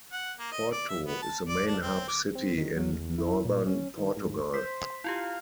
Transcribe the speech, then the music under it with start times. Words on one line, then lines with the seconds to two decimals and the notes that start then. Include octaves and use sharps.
Porto is the main hub city in northern Portugal.
0.12 F#5
0.39 A#3
0.52 D#5
0.72 D5
0.89 E5
1.05 B3
1.23 A5
1.48 D5
1.67 D4
1.83 C4
2.08 D6
2.35 C4
2.58 D#3
2.76 F#3
2.93 E2
3.18 E4
3.45 A#2
3.67 C#4
3.97 D#3
4.17 G#2
4.54 C5 B6
5.04 E4 F4 G4 F5